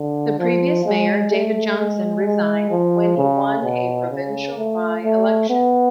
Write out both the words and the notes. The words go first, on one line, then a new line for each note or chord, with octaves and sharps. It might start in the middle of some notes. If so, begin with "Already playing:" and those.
The previous mayor David Johnson resigned when he won a provincial by-election.
Already playing: D3
F3
G#3
A3
G#3
G#3
F3
C#3
B2
C#3
A3
A3
B3